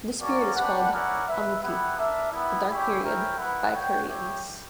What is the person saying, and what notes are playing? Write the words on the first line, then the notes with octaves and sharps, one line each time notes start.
This period is called "amhukki", the dark period by Koreans.
A#3 C#4 F#4 A#4 D5
D4 G4 B4 F#5
C#4 E4 A#4 D5 F#5
E4 B4 E5
G3 B3 E4 B4 F#5
D4 A#4 E5
G3 B3 E4
C#4 E4 G4 C#5
E4 A#4 C#5 E5 G5
B3 E4 B4 F#5
F#4 C#5 G5
E4 G4 C#5 E5 G5